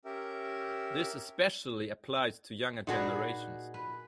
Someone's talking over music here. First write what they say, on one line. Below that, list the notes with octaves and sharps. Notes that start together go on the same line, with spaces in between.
This especially applies to younger generations.
C#4 G4 A#4 E5
A#2 D#4 F#4 G#4 B4
B4